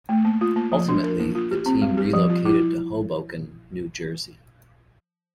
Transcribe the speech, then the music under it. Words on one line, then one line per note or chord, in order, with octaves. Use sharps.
Ultimately, the team relocated to Hoboken, New Jersey.
A3
A#3
F4
A#3
F3
D4
A#4
A#3
F4
G4
C4
G3
G4
F3
F4
E4